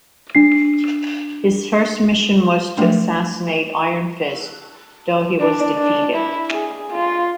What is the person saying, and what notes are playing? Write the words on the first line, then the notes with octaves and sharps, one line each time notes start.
His first mission was to assassinate Iron Fist, though he was defeated.
D4 C7
F3 F#3 G#3 A3 D4
D4
D4
E4
G#4
F4